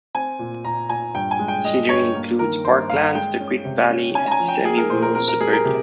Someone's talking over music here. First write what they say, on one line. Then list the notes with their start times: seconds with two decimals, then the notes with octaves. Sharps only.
Scenery includes park lands, the creek valley, and semi-rural suburbia.
0.15 C4 G#5
0.39 A#2
0.65 A#2 A#5
0.89 A#2 G#5
1.14 G2 G5
1.31 G#5
1.39 G#3
1.48 G5
1.64 G#3 D#5
1.89 G2 C#5
2.15 A#3
2.39 D#3 A#4
2.65 G2 C5
2.90 G2 F5
3.15 G#3 G5
3.40 C#4
3.65 C3
3.90 C#4
4.14 C#4 G#5
4.27 A#5
4.31 G#5
4.40 F3
4.48 G5
4.65 A#3 G#4
4.78 A#4
4.90 A#2 C5
5.02 A#4
5.15 C4 A#4
5.28 A#4
5.40 G3 G#4
5.53 A#4
5.65 C3 G4